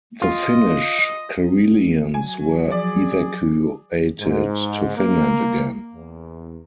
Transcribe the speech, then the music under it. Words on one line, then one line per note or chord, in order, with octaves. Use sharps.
The Finnish Karelians were evacuated to Finland again.
F4 D#5
F#3 G#5
F3 G#4 D5
G#2
A#3
E2